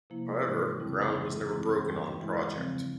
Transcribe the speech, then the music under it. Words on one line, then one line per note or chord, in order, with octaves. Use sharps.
However, ground was never broken on the project.
C3 F3 A#3 E4
G#2 E3 G#3 E4
F2 C#3 G3 C4 E4
G#2 E3 G#3
G2 E3 G#3 C4 E4
E2 E3 G3
E2 E3 G#3 E4
C#3 F3 C4